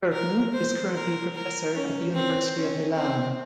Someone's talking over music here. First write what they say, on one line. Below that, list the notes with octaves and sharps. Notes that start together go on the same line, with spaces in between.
Bertin is currently Professor at the University of Milan.
A#4
C5
A#4
A#4
C#4
C4
C#4
C4